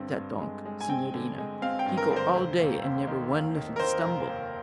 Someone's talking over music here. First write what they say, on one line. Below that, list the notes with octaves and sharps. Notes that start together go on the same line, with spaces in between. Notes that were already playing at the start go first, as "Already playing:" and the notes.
Zat donk', signorina, he go all day and never one little stumble.'
Already playing: G2 D3 C4
G2
G#3
G#3
G#5
C4 G5
D3
G#3
C4 F5
G5
G2
A#4
D3
C5
F1
D#2
D#2
D#3
D#2
D#3
A#4
D#3 C5
F1
D#2